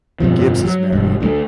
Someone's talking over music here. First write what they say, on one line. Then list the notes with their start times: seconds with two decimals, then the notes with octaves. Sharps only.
Gibbs is married.
0.20 G1 F2 B2 F3
0.64 F#3
0.92 E1 G2
1.20 D2 F#3 A3